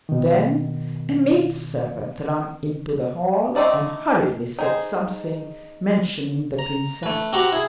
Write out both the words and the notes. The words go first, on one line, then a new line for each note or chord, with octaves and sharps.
Then a maidservant ran into the hall and hurriedly said something, mentioning the princess.
B2 D#3
A3 C4 D#4 D5 A5
D#4 G#4 C5
A#5
A3 B4
C4 F#4 G4 F#5 A#5
E4 G#4